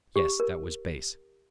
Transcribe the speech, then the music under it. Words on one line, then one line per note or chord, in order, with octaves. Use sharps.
Yes, that was base.
G4
A#4